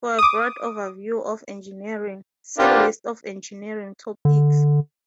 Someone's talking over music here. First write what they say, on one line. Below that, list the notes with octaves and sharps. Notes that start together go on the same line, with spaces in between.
For a broad overview of engineering, see List of engineering topics.
D6 D#6
B3 D4 F4 G4 A#4 C5
D3